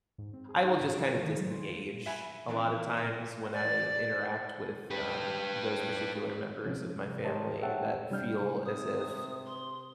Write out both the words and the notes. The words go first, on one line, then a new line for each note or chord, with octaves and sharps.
I will just kind of disengage a lotta times when I interact with, um, those particular members of my family that feel as if
G#2
C4
G#4
D#4
G#2
D7
A#4
D#3
F#3
C6
F4
E5 F#5 G#5 B5
E3 F3 C4 D4 E4
A2 A#4
D5
G4 B4
C3 F3 C#4
G4 A#4 C5 C#5 D#5 A5
G4 C#5 E5 F#5 G5 A5
C3 G3 D4 F6 G6
C3 D#6
C6